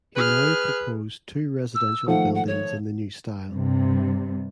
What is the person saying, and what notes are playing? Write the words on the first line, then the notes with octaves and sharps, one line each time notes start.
He now proposed two residential buildings in the new style.
G#4 B4 F6
E6
D#3 F3 A3 F#5
F#5
C#5
G2 C3 G3